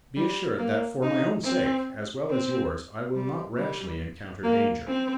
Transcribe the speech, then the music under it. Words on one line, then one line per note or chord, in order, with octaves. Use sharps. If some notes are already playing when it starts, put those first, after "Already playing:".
Be assured that for my own sake, as well as yours, I will not rashly encounter danger.
G3
A#3
D#4
C4
C4
G3
G3
A#3
C4